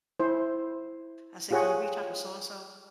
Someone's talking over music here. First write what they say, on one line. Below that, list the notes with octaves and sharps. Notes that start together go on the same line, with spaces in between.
I said, "Can you reach out to so-and-so?"
E4 C5
F4 G4 G#4 C#5 F#5 G5